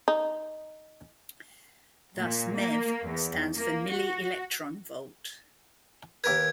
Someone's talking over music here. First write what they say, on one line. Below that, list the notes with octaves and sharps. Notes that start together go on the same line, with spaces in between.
Thus meV stands for milli-electronvolt.
D#4
A#2
A#3
E2
A#3
F#4
D#2 A#4 B4 G#6